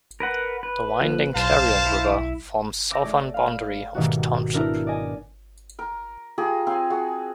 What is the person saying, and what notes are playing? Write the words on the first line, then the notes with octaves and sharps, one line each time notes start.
The winding Clarion River forms southern boundary of the township.
A#4 B4 F#5
B4
F3 A#3
B1 C5 F5 A5
E4
D6 E6 G6 A#6 D7
A3 G#4 C#5 D5
F5 B5
G#2 B2 D#3 G3 A3 F#4
B3 D4 E4 A#4
D5 D#5 G#5
A#4
F4 G4 G#4 A#4
C4 F5 G#5
F#4 G#4